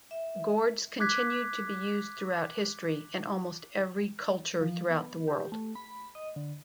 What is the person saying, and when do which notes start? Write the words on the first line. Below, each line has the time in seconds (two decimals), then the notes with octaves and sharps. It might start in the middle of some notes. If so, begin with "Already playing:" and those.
Gourds continued to be used throughout history, in almost every culture throughout the world.
0.11 E5
1.00 D6 F#6 G#6 B6
4.61 F3
4.91 B3
5.28 G4
5.52 A3
5.75 B5
6.15 D#5
6.36 D3